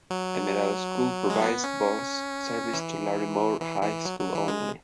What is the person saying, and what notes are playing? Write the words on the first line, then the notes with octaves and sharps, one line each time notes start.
Emerado school provides bus service to Larimore High School only.
F#3
G#3
B3
C#4
E3
E3
E3
F#3
F#3
E3
G#3